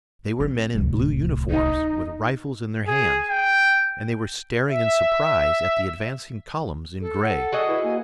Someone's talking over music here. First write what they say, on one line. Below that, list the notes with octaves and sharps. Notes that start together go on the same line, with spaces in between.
They were men in blue uniforms with rifles in their hands, and they were staring in surprise at the advancing columns in gray.
C4
D1 C2
D#4
G#4
G5
E5
A4
F#5
F#4 G#4 D#5
E4 B4
A#3 G#5